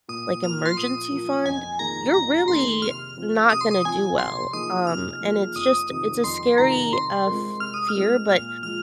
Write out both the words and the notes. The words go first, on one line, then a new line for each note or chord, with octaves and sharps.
like, emergency fund, you're really not gonna do well, um, and it's just it's a scary, uh, f fear. But
A#2 D#6
F3 A#3 F4 F6
C6
A#2 D#6
F3 A#3 F4
F2 G#5
D#3 A#3 G#4 A#5
F2 A#5
D#3 A#3 G#4 C6
C3 F6
F3 C4 F4
C3 D#6
C6
D#6
F3 C4 F4 G#5
C3 C6
F3 A#3 D#4 G#4 D#6
C3 F6
F3 A#3 D#4 G#4
F2 D#6
C3 D#3 C4 F4
F2 C6
C3 D#3 C4 F4 A#5
C3 C6
G#3 C4 F4 A#4
C3 F6
D#6
F6
G#3 C4 F4 A#4
A#2 F6
F3 G#3 F4 F6